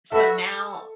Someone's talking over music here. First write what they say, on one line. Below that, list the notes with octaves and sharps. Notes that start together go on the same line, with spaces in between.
So now
F#4 A4 B4 E5